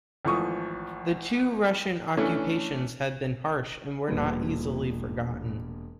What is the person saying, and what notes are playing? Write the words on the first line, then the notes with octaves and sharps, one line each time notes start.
The two Russian occupations had been harsh and were not easily forgotten.
G#1 E3 F3 A3 C#6 D#6
E3 A3 C#4 D4
E1 A#2 F3 G3 B4